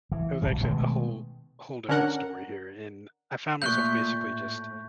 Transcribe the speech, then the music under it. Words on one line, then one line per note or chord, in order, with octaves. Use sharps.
it was actually a whole whole different story here, and I found myself basically just
E3
D1 A#1 G3
B2 D#3 G#3 A3
D3 C#4 D4 A#4 F#5
A#2 A3 C#6 F#6 G6
A2